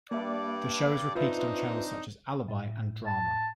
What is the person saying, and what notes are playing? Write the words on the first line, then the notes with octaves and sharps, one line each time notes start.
The show is repeated on channels such as Alibi and Drama.
G2 A#3 D5 E5
C4 D4 D#4 F4 B4 E5
A2
A5